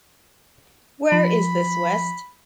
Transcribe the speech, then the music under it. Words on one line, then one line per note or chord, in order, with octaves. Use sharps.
Where is This West?
F3 B5